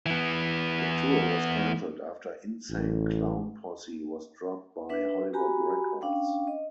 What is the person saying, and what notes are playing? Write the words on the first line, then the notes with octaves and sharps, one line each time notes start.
The tour was cancelled after Insane Clown Posse was dropped by Hollywood Records.
E3 B3
A1
D4 B4 E5
F#4 G4 G#5 A#5 B5
C#4 D4 F5 G5
D#5